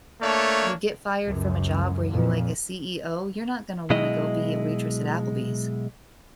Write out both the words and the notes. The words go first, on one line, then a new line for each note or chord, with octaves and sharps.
you get fired from a job where you're, like, a CEO, you're not gonna wanna go be a waitress at Applebee's,
A3 A#3 D4 C#5
C#2 F#2
F2 A#2
B2 F#3 G#3 E4 D#5